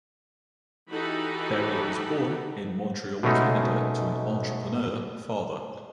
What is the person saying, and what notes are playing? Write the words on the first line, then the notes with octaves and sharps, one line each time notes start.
Berry was born in Montreal Canada to an entrepreneur father.
E3 D#4 F#4 G4 A4 B5
B2 G#3 A3 C#4 D#4